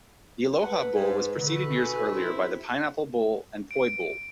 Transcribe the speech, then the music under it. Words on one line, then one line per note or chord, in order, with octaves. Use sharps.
The Aloha Bowl was preceded years earlier by the Pineapple Bowl and Poi Bowl.
A4 B4 F#5
G#2
B2 D3 A3 B4
F#4 A4 G#5
C4 E4
D7